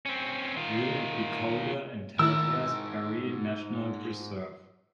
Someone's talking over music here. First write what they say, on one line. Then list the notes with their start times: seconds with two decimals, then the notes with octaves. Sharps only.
Will it be colder in Tallgrass Prairie National Preserve?
0.06 C4 C#4
0.56 D#3 F4
2.19 G#2 D#3 E4 A#4 E6